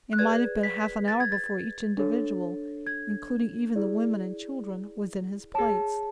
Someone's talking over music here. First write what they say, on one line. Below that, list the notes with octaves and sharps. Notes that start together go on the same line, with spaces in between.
It might have been half an hour before each individual, including even the women and children, was in his place.
F#6
G#4 B4 D5 G#6
B6
A6
G#6
A6
D4 A4 C#5
G#6
E4 G#4 D5
G#4 C#5 A5